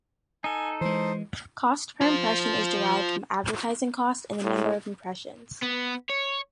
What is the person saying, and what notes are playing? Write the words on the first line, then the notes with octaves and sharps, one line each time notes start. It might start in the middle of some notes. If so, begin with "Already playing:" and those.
Cost per impression is derived from advertising cost and the number of impressions.
D#4 A4 G#5
E3 G#3 C5
F4 C5
A2
B3
C#5